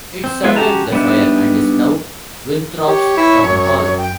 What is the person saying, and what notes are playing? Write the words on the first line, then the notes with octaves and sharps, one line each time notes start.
It survived the fire and is now Winthrop's Town Hall.
C4
G#3 B3 E4 F4
C#4 F#4 G4 A5 A#5
G3 B3 D4 D#4 E5
G4 C#5
E4
F#2
G5